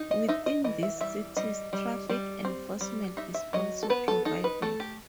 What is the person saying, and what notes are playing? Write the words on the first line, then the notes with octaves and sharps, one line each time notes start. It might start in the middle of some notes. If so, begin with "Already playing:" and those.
Within these cities, traffic enforcement is also provided.
Already playing: D#4
D#5
D#4 E5
D#5
E3 D#5
E5
G3 E5
G3 D#5
G3
G3
C4
G3
D#4 E5
E5
F#3 D#5
A4
B3 B4
A4
D#4 A4
B4
A3 A4
G4